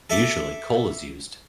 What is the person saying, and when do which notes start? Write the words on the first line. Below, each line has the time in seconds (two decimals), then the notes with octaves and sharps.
Usually, coal is used.
0.10 A4 E5 D6